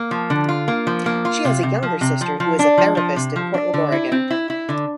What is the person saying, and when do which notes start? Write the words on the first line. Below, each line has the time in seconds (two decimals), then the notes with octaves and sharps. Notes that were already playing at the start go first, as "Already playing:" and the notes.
She has a younger sister who is a therapist in Portland, Oregon.
Already playing: A#3
0.11 F3
0.30 D3
0.49 F4
0.68 A#3
0.87 F3
1.06 A#3
1.25 F4
1.45 C3
1.63 C3
1.83 F3
2.01 C3
2.21 F3
2.40 F3
2.59 D4
2.78 F3
2.97 F3
3.16 C3
3.36 F3
3.54 D4
3.74 D3
3.92 E4
4.12 C4
4.30 E4
4.50 E4
4.69 D3